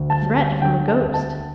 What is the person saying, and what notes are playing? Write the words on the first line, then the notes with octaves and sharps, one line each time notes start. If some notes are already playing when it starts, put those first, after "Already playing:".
A threat from a ghost!
Already playing: D2
A5
G3
A5
D3 G5
A5
D2
A5